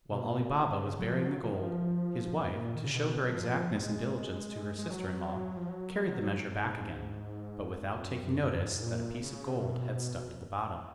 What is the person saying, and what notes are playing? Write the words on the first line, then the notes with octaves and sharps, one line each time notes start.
While Ali Baba was burying the gold, his wife, to show her exactness and diligence to her sister-in-law, carried the measure back again, but without taking notice that a piece of gold had stuck to the bottom.
B2
A#2
C#3
F#3
F3
F#3
F3
D#3
F3
F#2
G#2
A#2
D#3
C#3
B2
F#3
F3
G#3
G#3
F#3
F3
F#3
F#3
F#2
G#2
F2
F#2
F#2
F#2
G#2
G#2
A#2
C#3
B2
F2